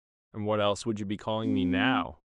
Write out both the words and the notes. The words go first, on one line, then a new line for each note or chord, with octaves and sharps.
"And what else would you be calling me now?"
C4